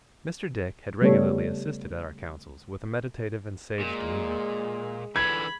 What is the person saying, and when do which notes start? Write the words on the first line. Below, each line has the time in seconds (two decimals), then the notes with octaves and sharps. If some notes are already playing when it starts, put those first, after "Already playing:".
Mr. Dick had regularly assisted at our councils, with a meditative and sage demeanour.
1.01 C#3 G3 A3 B3 A4 C#5
3.80 A#2 G#3
5.16 D3 E3 B5 G#6